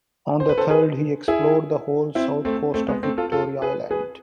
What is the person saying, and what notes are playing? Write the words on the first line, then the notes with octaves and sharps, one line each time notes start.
On the third he explored the whole south coast of Victoria Island.
C5
B4
A4 C5
G#4 B4
E4 G#4
C4 E4
A3 C4
A3 C4
G#3 B3
A3 C4
F4 A4
F4 A4
G#4 B4
G#4 B4